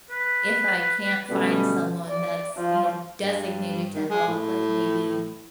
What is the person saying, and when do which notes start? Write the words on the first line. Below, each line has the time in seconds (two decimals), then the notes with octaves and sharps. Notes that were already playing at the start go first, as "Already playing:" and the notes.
If I can't find someone that's, you know, designated to help, like, maybe,
0.10 B4
1.30 B2 D3 G3 A3 B3 C#4
2.09 D5
2.57 F3
3.25 G2
3.94 D#3
4.10 G#3
4.27 A2